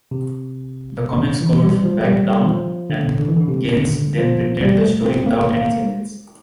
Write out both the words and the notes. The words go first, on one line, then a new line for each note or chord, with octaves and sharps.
The Comics Code backed down, and Gaines then printed the story without any changes.
C3
D3
E3
G3
F3
G3
F3
D3
D3
E3
D3
C3
D3
F3
G3
A3
C4
A#3
A#3